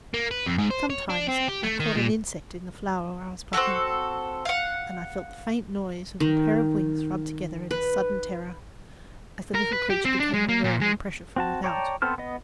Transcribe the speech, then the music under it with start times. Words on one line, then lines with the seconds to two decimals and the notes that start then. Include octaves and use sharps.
Sometimes I caught an insect in the flower I was plucking, and I felt the faint noise of a pair of wings rubbed together in a sudden terror, as the little creature became aware of a pressure from without.
0.14 A#3
0.31 B4
0.46 F2
0.58 G#2
0.70 C5
0.90 C#5
1.10 D4
1.29 C4
1.48 G4
1.63 A3
1.80 D#3
1.96 A#2
3.53 C4 D#4 F#4 A4
4.45 F5 F#5
6.20 D#3
7.71 B4
9.55 A#4
9.73 B4
9.90 G4
10.05 C4
10.20 D4
10.34 G#3
10.49 A#3
10.64 A#2
10.81 G#3
11.36 C4 F#4 A5
11.64 C#5 D5 G5 A5 A#5
12.02 B3 C4 A4 C5 F6
12.18 B3 D#5